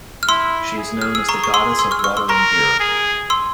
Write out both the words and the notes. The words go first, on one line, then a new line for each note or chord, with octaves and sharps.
She is known as the goddess of water and beer.
F6
E4 C6 E6
G#4
F6
E6
A#5 C#6
C#6
C6 E6
C6 E6
C#6 F6
E6
C#6 F6
C6 E6
A#4 A#5 C#6
G#4
C6 E6